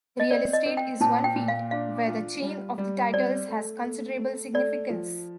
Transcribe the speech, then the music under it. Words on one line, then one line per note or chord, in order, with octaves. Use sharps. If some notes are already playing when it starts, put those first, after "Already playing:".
Real estate is one field where the chain of title has considerable significance.
D#5
C4 D5
D#5
C4
G5
A#2 A5
G5
A#2
F5
D4 F5
F4
G3
G3
C4 D5
A3
A3
A3
A3 D5
F3